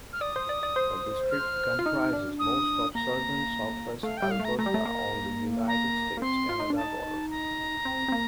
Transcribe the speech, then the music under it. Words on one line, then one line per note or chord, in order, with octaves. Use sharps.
The district comprises most of southern southwest Alberta on the United States-Canada border.
F6
D5 D#6
C5
D5
D5
C5
F6
F4
D#4
D4
D#6
A#3 A#5
A3 F5
G3 G5
F5
A3
A#5
A3 A#5
G3
A3
A#3
A#5
A#3
C4 C6
F4
D#4
D4
D#4 A5
A#5
C4
C4
A#3